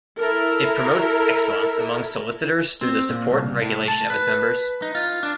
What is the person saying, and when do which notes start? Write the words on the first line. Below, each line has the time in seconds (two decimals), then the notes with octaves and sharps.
It promotes excellence among solicitors through the support and regulation of its members.
0.17 E4 A4 A#4
2.81 C4
3.09 A#2
3.31 C2
3.62 A2
3.88 A5
4.10 B4
4.82 D#4
4.95 F4
5.23 D4